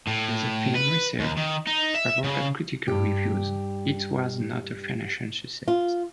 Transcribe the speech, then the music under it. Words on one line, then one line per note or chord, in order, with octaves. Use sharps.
The film received favorable critical reviews, it was not a financial success.
A2
B4
D#2
D#3
D#4
E5
C#3
G2 G4
F4